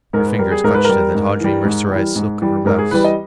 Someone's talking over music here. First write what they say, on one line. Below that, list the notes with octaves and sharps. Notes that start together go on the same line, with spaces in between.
Her fingers clutched at the tawdry mercerised silk of her blouse.
G#2 A#4
B4
G3 A#4
G#4
G#2 A#4
B4
G3 A#4
G#2
E3 G3
G#2
E3 G3
G#2
E3 G3
G#2 A#4
G#4
E3 G3 B4
D#5